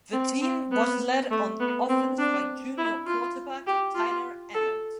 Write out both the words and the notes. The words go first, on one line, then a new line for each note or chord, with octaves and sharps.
The team was led on offense by junior quarterback Tyler Emmert.
C4
C4
B3
A3
B3
C4
D4
E4
F4
G4
F4
A4